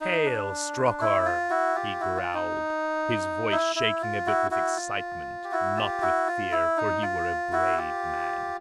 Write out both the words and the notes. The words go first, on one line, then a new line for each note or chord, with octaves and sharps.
"Hail, Stroker!" he growled, his voice shaking a bit with excitement; not with fear, for he were a brave man.
D#4
D4
E4
F4
E4 F#4
F4 G4
E4 F#4
F4
D#4
E4
E4
F4
E4 F#4
E4 F#4
F4
G4
E4 F#4
F4 G4
E4 F#4
F4
E4
D#4
F4
E4 F#4
F4 G4